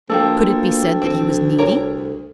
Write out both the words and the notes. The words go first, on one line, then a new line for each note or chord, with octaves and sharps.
Could it be said that he was needy?
D2 F3 F#3 G#3 A#3 A4 G5
A#1 C4
C2 A#4 C#5 A#5